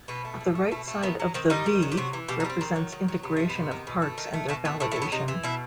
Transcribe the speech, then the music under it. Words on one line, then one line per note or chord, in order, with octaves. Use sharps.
The right side of the "V" represents integration of parts and their validation.
B2 B3
A3
B2
A3
B2 A3
A3
D#3 B3
F#3
D#3 C4
G3 D#4
D#3
F#3
G4
C3 F#4
E3
B2 G4
D#4
G3
C4
D#3
F#3
D#3
F#3
C3 B3
D#3 A3
B3
C3
D#3
B2
A3
D#3
A3
B2 A3
A3 B3
A2 A3
A3
F#3
B3
C3 D#4
E3
B2 E4